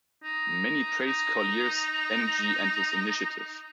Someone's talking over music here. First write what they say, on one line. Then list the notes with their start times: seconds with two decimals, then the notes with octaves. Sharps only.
Many praise Collier's energy and his initiative.
0.23 D#4
1.07 D#4